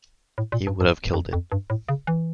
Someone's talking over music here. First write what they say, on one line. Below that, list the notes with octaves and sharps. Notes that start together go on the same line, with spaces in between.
He would have killed it.
A2
A#2
G2
G2
F2
F2
G2
A2
C#3
E3